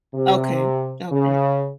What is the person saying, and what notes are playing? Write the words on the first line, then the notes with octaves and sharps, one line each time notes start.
Okay, okay.
C3
C#3